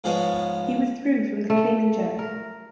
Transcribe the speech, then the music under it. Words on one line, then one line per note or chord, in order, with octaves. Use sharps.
He withdrew from the clean and jerk.
G#2 F3 G#3 B3 C#4
A3
A#4